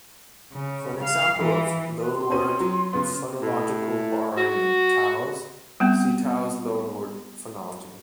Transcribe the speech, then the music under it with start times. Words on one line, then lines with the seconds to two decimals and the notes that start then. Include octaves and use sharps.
For an example of loanword phonological borrowing in Taos, see Taos loanword phonology.
0.52 C#3
1.03 F5
1.38 E3
1.98 B4
2.14 C6
2.30 C4 C#4 D#7
2.60 F#3
2.93 C#3 B3
3.41 A2
4.37 F#4
5.80 G3 B3 C4